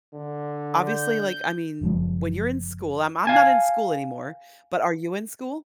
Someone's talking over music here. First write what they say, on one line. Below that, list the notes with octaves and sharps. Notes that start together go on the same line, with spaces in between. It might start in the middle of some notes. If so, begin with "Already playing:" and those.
obviously, like, I mean, when you're in school I'm I'm not in school anymore, but are you in school?
D3
G6
F#1 F3 G#3
F5 G#5 A5